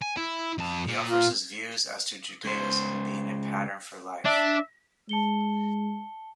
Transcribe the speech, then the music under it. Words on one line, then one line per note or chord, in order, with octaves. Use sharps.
He offers his views as to Judaism being a pattern for life.
G#5
E4
F2 A5
A#2
F4
C#2 C5
D4 D5 E5
G#3 A5 C#7 G7